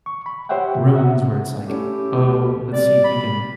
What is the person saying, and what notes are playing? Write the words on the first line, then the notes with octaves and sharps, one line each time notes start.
rooms where it's like, "Oh, let's see if we can,
C#6
B5
G4 C5 C#5 E5 F#5 G5
C3
F#4 E5 F#5
A3 C#4 E4 G4
D2
C3 G3 D5
B5